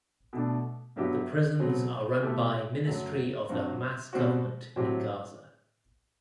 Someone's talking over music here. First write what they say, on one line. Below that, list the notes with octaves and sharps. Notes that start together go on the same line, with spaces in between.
The prisons are run by Ministry of the Hamas government in Gaza.
B2 A3 D4
G2 F#3 B3 E4 G4
B2 F#3 C4
B2 A3 E4 G4
F#2 F#3 A3
G2 F#3 C4 F#4
B2 G3 C4 F#4
A2 F#3 C4 G4